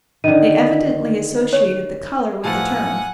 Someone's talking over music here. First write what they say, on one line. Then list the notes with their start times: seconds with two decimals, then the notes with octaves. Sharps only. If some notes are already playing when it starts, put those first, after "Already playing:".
They evidently associated the color with the term.
0.24 D3 D#3 D#7
1.53 C#5
2.44 A2 E3 F3 F#5 G#5